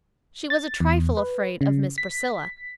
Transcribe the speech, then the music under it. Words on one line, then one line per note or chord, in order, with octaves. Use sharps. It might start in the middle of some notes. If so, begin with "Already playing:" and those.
She was a trifle afraid of Miss Priscilla.
A6
E2
B4
C#3
B6